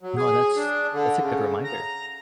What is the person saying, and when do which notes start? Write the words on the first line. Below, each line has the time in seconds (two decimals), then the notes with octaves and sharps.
No, that's that's a good reminder.
0.01 F#3
0.17 G#4
0.56 D4
0.93 D3
1.20 C#3
1.64 A#5